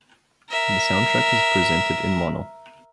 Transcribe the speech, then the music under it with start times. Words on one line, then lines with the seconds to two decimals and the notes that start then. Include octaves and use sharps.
The soundtrack is presented in mono.
0.50 A#4 E5